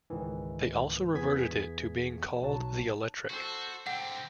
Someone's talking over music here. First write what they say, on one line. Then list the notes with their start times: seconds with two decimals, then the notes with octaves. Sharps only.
They also reverted it to being called the Electric.
0.10 C#2 G#2 D#3 E3
1.14 E2 E3 B3 G#4 G#6 B6
2.42 B1 F#3 A5
3.30 F#4 A4 C5
3.87 D3 C4 F#5 G5